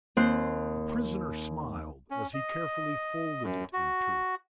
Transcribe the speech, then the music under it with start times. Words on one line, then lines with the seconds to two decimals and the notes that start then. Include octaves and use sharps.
The prisoner smiled as he carefully folded it in two.
0.17 D#2 C4 C5 C6 F#6
2.11 C#4
2.34 D#5
3.43 F#2
3.73 F#4